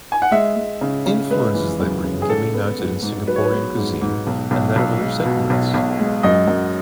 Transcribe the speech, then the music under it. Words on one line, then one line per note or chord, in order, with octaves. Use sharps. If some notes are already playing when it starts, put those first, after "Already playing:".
Influences they bring can be noted in Singaporean cuisine and that of other settlements.
G#5
F#5
G#3 E5
G#3
C#3
C#3
G#3 B4
E3
F#2
C#3
G#4
G#2 A4
B3
G#2
G#2
F#3 B4
C#5
B4
B3
G#2
G#2
B1
B1
B1
G#3
B2
B1
B1
G#3
F#2 D#5
F#2